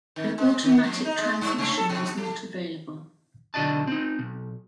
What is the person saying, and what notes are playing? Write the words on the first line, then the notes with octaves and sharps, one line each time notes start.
An automatic transmission was not available.
D#3
G#3
D#3
F2
D#4
G#3
G2
C3
A4
B2
A3
B1 D3 F#4 D5 D#5 A5
C4 D#4
B1